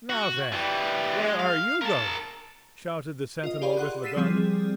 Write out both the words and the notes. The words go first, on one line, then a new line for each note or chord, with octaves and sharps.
"Now, then, where are you going?" shouted the sentinel with the gun.
F#4
E3 G3
G#3
F5
A#4 A5
F4 A#4 D#5
G4 G#4 D5 F5 B5
F#5 C6 F#6 D#7
E6 A6 B6 C7 D#7 E7
F3 G3 C4 G#4